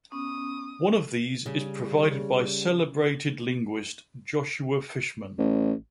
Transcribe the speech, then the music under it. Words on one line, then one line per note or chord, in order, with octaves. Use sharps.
One of these is provided by celebrated linguist Joshua Fishman.
B3 C#4 D#6
C#3 G3
A1